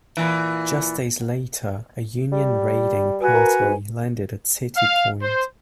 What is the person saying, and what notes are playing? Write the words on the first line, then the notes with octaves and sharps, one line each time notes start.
Just days later, a Union raiding party landed at City Point.
A#2 E3
G3
F#4 B4 G#5
A#4
G#2
F5
C5